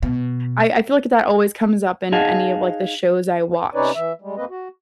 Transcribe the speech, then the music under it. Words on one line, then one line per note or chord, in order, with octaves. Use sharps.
I I feel like that always comes up in any of, like, the shows I watch.
B2
D#4 G#4 D#5 F5 F#5 A5
C3 C#4 D#4 B4 C#5 D5
E3 E5
G3 G#3
E2 A#3 C4 B4 D#5
F#4